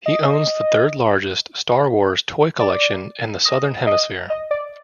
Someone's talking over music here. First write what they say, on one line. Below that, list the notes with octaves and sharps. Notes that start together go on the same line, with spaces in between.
He owns the third largest Star Wars toy collection in the southern hemisphere.
D#5
D5
D#5
D#5
D#5
D5